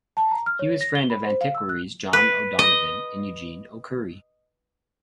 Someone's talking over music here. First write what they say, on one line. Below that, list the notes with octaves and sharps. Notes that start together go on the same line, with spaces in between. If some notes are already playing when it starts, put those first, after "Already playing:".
He was a friend of antiquaries John O'Donovan and Eugene O'Curry.
A5
A#5
F6
C#5
A#6
G7
B5
C5
F5
E6
F#6
B4
D#5